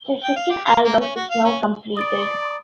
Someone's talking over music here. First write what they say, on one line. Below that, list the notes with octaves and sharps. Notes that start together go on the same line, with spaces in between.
Their second album is now completed.
G5
F5
G4
F5
A#3
C#4
F#4
F5
C#4
D5 D#6 A6 D7